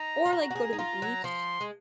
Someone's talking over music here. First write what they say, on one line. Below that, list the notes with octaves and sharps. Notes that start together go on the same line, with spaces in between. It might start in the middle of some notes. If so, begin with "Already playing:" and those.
or, like, go to the beach.
Already playing: D#4 A#5
F4
F#4 A#5
F#4
G#4
D#4
F4 A#5
F#3
F3 C6
G#3